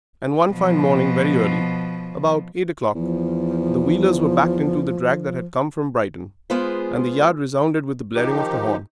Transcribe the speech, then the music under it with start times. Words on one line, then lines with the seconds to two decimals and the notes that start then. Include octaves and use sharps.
And one fine morning, very early--about eight o'clock--the wheelers were backed into the drag that had come from Brighton, and the yard resounded with the blaring of the horn.
0.50 B2 F3
2.95 E2 F3
6.50 G#3 B3 F4 G#4 B4 C5
8.15 D#3 F3 D#4 G4